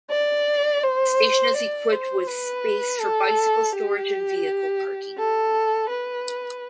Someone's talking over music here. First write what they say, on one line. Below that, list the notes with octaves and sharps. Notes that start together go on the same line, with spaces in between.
The station is equipped with space for bicycle storage and vehicle parking.
D5
C5
D5
C5
B4
A4
G4
A4
B4